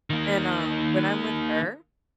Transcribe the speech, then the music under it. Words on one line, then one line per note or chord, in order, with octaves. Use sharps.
And, um, when I'm with her,
D#3 A#3